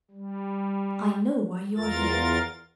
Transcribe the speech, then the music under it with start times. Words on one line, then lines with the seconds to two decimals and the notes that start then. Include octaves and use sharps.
'I know why you are here.
0.11 G3
1.76 E2 F4 A#4 A6